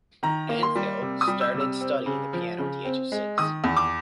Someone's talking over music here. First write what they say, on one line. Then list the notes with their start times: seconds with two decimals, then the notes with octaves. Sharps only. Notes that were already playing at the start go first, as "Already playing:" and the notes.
Antheil started studying the piano at the age of six.
0.23 D#3 A#5
0.49 A#3
0.63 C6
0.75 G3
1.02 C3
1.21 D#6
1.28 G3
1.41 E6
1.54 C3
1.60 E6
1.81 C4
2.06 C#3
2.33 F3
2.59 C#3
2.85 C4
3.12 G#3
3.38 D#3 D#6
3.64 E2
3.76 D6